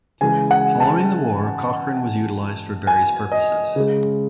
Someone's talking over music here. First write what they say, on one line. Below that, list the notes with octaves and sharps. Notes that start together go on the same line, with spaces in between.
Following the war, Cochran was utilized for various purposes.
C#3 E3 G#3 G#5
F#5
A5
G#5
D#5
C#3 G#3